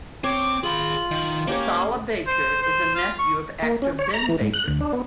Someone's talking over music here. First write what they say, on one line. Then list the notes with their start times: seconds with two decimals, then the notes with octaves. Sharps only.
Sala Baker is a nephew of actor Ben Baker.
0.24 C4 C#5 D6
0.64 F4 G#4 B5 F#7
1.11 D#3
1.48 A#3 C#4 G4 C#5 D6
2.27 C5
2.62 C5
2.95 F4
3.18 C#6
3.62 A#3
3.82 C#4
3.99 C#5
4.14 A#5
4.29 E3
4.41 G#2
4.54 F#6
4.68 D2
4.81 D4
4.93 B3